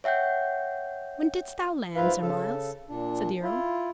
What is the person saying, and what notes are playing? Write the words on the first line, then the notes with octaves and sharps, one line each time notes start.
"When didst thou land, Sir Myles?" said the Earl.
C#5 E5 F#5 G5 G6
G#2 E4 F4 B4 F5
C#3 A4
A#2 D4
E4 F4